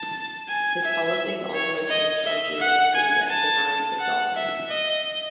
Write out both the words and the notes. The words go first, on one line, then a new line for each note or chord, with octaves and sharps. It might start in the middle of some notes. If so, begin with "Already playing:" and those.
His policies also impinged on Julius Caesar, who married his daughter.
Already playing: A5
G#5
E5
C#5
D#5
E5
F#5
G#5
A5
F#5
E5
D#5